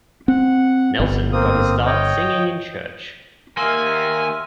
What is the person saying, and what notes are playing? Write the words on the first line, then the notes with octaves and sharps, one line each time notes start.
Nelson got his start singing in church.
C4 F#5
G1
A#3 C4 D#6
C#5 D#5 G5
D#3 A#3 G4 E5 G#5 C6 E6 F6